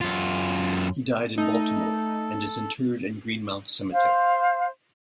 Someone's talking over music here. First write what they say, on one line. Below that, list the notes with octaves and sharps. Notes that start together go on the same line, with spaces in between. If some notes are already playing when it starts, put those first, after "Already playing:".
He died in Baltimore, and is interred in Greenmount Cemetery.
F#2 F4
A3 D#4 A4
C5 F5